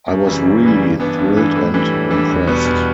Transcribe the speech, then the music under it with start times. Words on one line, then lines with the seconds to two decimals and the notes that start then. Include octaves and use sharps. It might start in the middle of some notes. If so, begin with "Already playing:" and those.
I was really thrilled and impressed.
0.08 F#2
0.26 C#3 E3 G3
0.45 F#2
0.63 C#3 E3 G3
0.81 G2
1.00 E3 B3 D4
1.18 G2
1.37 E3 B3 D4
1.56 A2
1.74 E3 G3 D4
1.92 A2
2.11 E3 G3 D4
2.29 E2
2.47 B2 G3 B3
2.65 E2